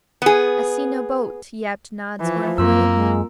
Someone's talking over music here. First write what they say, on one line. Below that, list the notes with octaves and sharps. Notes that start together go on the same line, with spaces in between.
"I see no boat," yapped Nod scornfully.
B3 G#4
E3 F3
F#2 A#3 C4 F4 E6
G#3